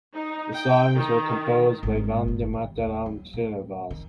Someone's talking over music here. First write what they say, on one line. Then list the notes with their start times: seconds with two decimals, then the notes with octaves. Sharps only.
The songs were composed by Vandemataram Srinivas.
0.13 D#4
0.54 G5
0.94 D#3
1.83 G#1
2.28 G1
2.53 E3
2.77 D#2
3.06 F#3
3.33 A2
3.90 D#3